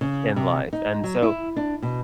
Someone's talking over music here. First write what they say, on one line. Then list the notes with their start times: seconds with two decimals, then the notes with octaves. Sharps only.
in life, and so
0.01 C#3
0.36 C3
0.73 D#4
1.04 F#3
1.22 E4
1.56 D4
1.83 B2